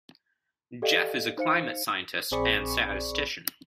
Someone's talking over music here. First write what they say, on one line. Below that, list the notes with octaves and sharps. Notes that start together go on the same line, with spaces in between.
Jeff is a climate scientist and statistician.
G4 A4 D5 D#5 F5 G5
D#4 C5 F5 C#7
A#1 C4 G#4 D5 B5 C#6